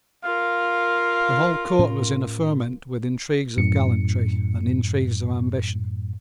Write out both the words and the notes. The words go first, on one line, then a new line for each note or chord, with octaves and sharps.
The whole court was in a ferment with intrigues of gallantry and intrigues of ambition.
F4 A#4 F5
A2 C#4
F#2 A2 C#7